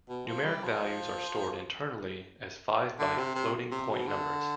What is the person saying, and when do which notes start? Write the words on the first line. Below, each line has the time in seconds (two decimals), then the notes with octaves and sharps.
Numeric values are stored internally as five-byte floating point numbers.
0.09 B2
0.27 F3
0.45 G3
0.64 F3
2.99 D3
3.18 C3
3.35 C3
3.71 C3
3.90 B2
4.08 D3